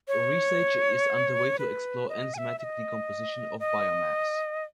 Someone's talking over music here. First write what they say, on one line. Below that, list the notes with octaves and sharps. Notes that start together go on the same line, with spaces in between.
Research is underway to explore enzymatic decomposition of biomass.
C#5
B4
D#5
G#5
E5
E5
D#5
D#5